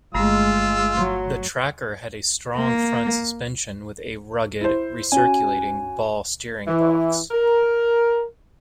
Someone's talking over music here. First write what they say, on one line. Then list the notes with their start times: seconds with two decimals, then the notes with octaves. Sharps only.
The Tracker had a strong front suspension with a rugged recirculating ball steering box.
0.15 G1 G2 G#3 A3 F4 E6
0.97 F#3 C6
2.57 A#3
4.61 E4 C5
5.12 C#4 F#4 G#5
6.68 E3
7.31 A#4